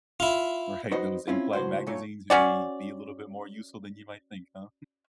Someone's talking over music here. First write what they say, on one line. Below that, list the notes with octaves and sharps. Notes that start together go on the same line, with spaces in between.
Right. Those in-flight magazines may be a little bit more useful than you might think, huh?
E4 F4
D#4 F#4 B4 C5 D#5
C4 C#4 E4 F4
C#2 A2 F#4 C5
A#2 A3 C#5
C#4 F#4 D5